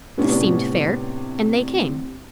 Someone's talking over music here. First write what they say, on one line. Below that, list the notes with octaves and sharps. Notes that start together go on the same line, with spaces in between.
This seemed fair, and they came.
A2 C3 B3 C#4 D4